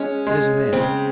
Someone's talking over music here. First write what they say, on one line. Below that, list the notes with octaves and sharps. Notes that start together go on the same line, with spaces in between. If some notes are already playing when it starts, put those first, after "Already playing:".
It is a man.
Already playing: G#3 C#4
G#3
C#3 C4